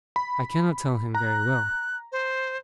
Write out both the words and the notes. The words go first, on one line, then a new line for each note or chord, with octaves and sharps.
I cannot tell him very well.
B5
A#5 F#6
C5